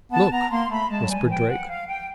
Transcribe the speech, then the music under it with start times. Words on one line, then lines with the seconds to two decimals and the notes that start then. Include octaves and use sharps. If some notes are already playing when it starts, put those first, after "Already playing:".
"Look," whispered Drake.
0.11 B3 A5
0.31 B3 A#5
0.51 A#3 C6
0.70 A3 B5
0.90 G#3 A5
1.03 F#3
1.09 G3 G#5
1.22 E3
1.29 F3 G5
1.49 F#5
1.68 F5
1.88 G5